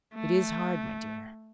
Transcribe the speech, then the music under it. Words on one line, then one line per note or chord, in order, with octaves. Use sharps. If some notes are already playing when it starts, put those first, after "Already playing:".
"It is hard, my dear."
A3